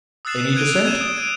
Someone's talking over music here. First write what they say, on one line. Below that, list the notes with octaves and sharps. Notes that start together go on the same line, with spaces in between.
Any dissent?
D#6 E6 F#6 A6 C7 E7
F#6 G#6 D7 D#7 F7 G7
G#6 D#7 E7
D#6
G#6 D7 E7